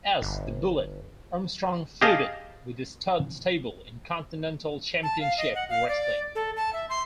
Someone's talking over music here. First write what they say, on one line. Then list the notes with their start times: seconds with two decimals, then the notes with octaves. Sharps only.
As "The Bullet", Armstrong feuded with the Stud Stable in Continental Championship Wrestling.
0.22 G1
2.01 G4 G#4 D#5 F5 A5
5.03 A5
5.20 F5
5.38 D#5
5.55 F#5
5.70 F5
5.88 D5
6.35 A4
6.57 A5
6.73 E5
6.90 C6